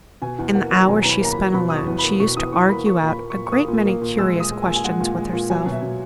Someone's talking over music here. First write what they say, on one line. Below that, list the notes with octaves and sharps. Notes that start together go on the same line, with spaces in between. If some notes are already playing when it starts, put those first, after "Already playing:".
In the hours she spent alone, she used to argue out a great many curious questions with herself.
B2 G#5
E2
A#3 F#5
F#3
A#5
B2 G#5
E2 A#5
B5
A#3 A#5
B5
F#3
B2 B5
E2 D#6
C#6
E2
A#3 B5
B2 C#6
E2 D#6
E2 C#6
A#3 B5
A#3 C#6
A#2
B5
A#3
C#6
A#2
C#6
A#3 D#6
A#2
A#3
A#2
G#3 E6
A#2
D#6
G#3
G#5
A#2
G#5
G#3 F#5
A#2
G#3
A#2
F#3 G#5
B2
E5
B2